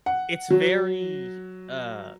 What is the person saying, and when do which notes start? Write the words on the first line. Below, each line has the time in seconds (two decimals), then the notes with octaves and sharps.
It's very, uh,
0.06 F#5
0.51 F#3